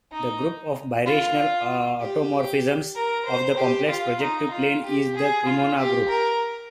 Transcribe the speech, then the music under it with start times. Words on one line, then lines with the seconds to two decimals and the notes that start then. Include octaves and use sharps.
The group of birational automorphisms of the complex projective plane is the Cremona group.
0.12 D#4
1.06 F4
2.01 G4
2.95 A#4
3.26 C5
3.57 G4
3.89 F4
4.21 D#4
4.51 F4
4.84 G4
5.15 G#4
5.46 F4
5.77 G4
6.09 A#4